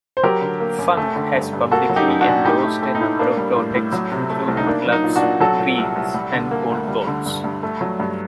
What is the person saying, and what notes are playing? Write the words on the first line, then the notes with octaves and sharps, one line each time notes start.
Funk has publicly endorsed a number of products including clubs, greens, and golf balls.
C5
F#3 G4 A#4
D3
A#3
F#2
A3
D3
G2
G2
A#3 F#4 A4
F#3
D#4 G4
F#2
D4 F#4
F#2
A2 D#4 G4
A3
A3
D#4
A2
A#3 D4
G3
A2
A2
F#3
C3
A3
C2
D#4
A#3 D4
F#3
D#4
A#2
D4 F#4
A#2
F#3 F#4 A4
A#2
C2
C2
G3
D3
A#3
D2
G3
D3
G2
G2
A3
F#3
G2